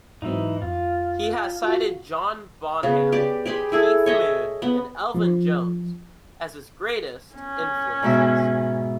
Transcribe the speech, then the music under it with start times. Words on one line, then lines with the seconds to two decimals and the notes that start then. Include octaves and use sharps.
He has cited John Bonham, Keith Moon, and Elvin Jones as his greatest influences.
0.22 G#2 E3 F#3 C4 D#4
0.62 F2 F4
1.63 F4 F#4
2.83 C#3 B3
3.12 G4 D5
3.46 G4 G#4 B5 C6
3.72 E4 G#4 A4
4.06 C#5 D#5 E5
4.62 B3
5.14 F3
7.35 C#4
8.03 G#2 B2 E5